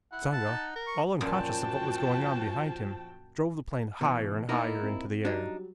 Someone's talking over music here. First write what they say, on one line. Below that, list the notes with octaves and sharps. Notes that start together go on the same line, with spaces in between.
Usanga, all unconscious of what was going on behind him, drove the plane higher and higher into the air.
E4 F#5
A5
D#4
A#4
C#6
F#2 A#2 F3 F#4 G5 A5
B2 E3
A#2 A#3 D#4 E4 D6 A6
C4
F#3 G3 D4 D#4